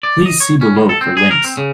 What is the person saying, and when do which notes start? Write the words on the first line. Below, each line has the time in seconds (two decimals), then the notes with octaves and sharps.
Please see below for links.
0.03 D5
0.26 D#5
0.40 C#5
0.61 C#4
0.76 D#3
0.89 A4
1.01 C4
1.17 G#4
1.31 A#4
1.44 C4
1.57 C#3